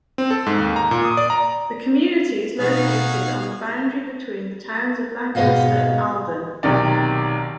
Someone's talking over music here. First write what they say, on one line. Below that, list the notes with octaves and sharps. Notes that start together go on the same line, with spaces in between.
The community is located on the boundary between the towns of Lancaster and Alden.
C4
A4
G#2
D#2
A#5
A#2
D#6
D5
A#5
B2 D#4 F#4 G#4 F5
G#2 B2 B4 D#5 F5 F#5
B1 C3 D#3 D5